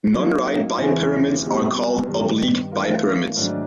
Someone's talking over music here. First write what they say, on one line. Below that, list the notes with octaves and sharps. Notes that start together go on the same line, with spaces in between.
Nonright bipyramids are called oblique bipyramids.
F#3 A#3 D#4
E2 C#3 E3 G#3 C4
C#2 B2 G3 C4
G2 D#3 G3
E3 A3 C#4 F4 A#4
G#2 D#3 F#3 A3 D4